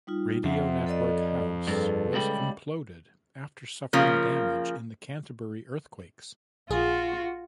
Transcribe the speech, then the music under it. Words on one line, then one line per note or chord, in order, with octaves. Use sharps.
Radio Network House was imploded after suffering damage in the Canterbury earthquakes.
G3 D#4 F4
F2 E5 F#5
A4 D5 D#5
G2 G#4 A4 B4
C#2 G3
C#3 F3 A#3
A#1 F4 F#4 G#4